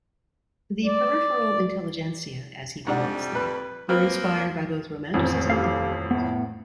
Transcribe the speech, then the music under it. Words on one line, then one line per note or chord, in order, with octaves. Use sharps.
The peripheral intelligentsia, as he denotes them, were inspired by both romanticism and populism.
D5
F2 G#2 C3 G3 D4 F#5
B4
F3 A#3 C4 F4 B4
D#1 A1 F2
G4 A4 F5
A2 B3